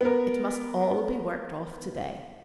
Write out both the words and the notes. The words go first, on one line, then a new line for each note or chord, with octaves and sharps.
It must all be worked off to-day.
B3 A#4